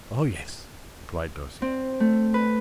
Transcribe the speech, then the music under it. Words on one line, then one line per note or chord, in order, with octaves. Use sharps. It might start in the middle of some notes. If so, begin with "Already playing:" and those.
"Oh, yes," replied Darcy.
C4
A3
B4